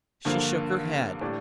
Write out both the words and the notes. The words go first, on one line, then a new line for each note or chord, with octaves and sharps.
She shook her head.
G2 D3 F3 A#3 F4
A2 G3 D4